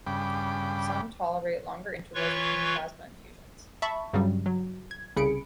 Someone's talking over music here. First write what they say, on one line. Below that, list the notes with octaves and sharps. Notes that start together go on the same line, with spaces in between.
Some tolerate longer intervals between plasma infusions.
G2 C#3 G5 B5 D6
E3 F4 B4 C#5 C#6
E5 A5 B5 C#6
G2 C#3 F#3 G3
F#3
G#6
C2 C#3 G#4 B5 C#7 D7